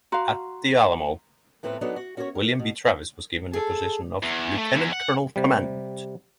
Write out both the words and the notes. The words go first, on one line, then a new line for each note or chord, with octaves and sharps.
At the Alamo, William B. Travis was given the position of lieutenant colonel commandant.
F#4 F5 A#5 C6
F2 A2 C4 B4 A#5
F#3 B3 D4 D#4 A4 C#5
F#4
C#4 F#4 A#4 C5 C#5
A#4
B2
G#4 A4
E2
A3
E2
F#5
C3 G3